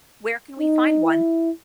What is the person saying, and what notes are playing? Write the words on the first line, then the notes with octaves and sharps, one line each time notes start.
Where can we find one?
D#4
E4